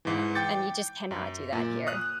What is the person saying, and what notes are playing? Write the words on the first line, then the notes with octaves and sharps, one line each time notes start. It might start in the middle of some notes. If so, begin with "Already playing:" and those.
Um, and you just cannot do that here.
G#2 E3
G5 D6 G6 A6 C#7
F#2
A#2
D#6 F6 F#6